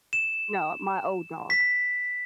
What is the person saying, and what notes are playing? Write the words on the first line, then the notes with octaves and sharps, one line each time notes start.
No, my old dog.
E7
B6